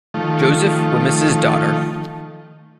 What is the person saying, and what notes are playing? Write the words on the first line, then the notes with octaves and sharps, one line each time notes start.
Joseph Wemyss' daughter.
D#3 F3 A3